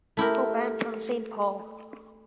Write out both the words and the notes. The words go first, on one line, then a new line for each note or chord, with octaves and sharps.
Hoban from Saint Paul.
A3 E4 G4 A#4